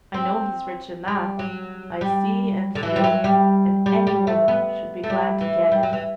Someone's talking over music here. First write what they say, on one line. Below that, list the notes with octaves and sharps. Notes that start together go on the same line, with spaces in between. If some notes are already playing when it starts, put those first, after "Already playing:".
I know he's rich in that; I see and feel it; and any woman should be glad to get it.'
C4
G3
F#3
G3
D3
E3
G3
F#3
G3
G3
G3
A3
B3
A3
G3
E3
G3
F#3
E3